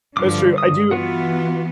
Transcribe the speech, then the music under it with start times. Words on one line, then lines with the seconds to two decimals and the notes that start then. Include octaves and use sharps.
That's true. I do
0.17 G2 D3 F3 D6
0.58 D#6
0.91 E3 B3 F4 F#4 F#5